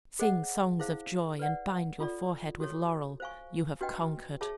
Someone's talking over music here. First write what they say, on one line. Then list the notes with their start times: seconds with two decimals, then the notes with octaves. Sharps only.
Sing songs of joy, and bind your forehead with laurel,--you have conquered!
0.19 G#4 C5 D#5 F#5
0.79 E4 G#4 C5 F5
1.39 B4 D5 F#5
2.00 F4 A4 D5
2.60 F#4 A4 C#5
3.20 C5 F5 G#5 C#6
3.81 D4 F#4 B4 D#5 G5
4.41 G#4 C#5 E5 A5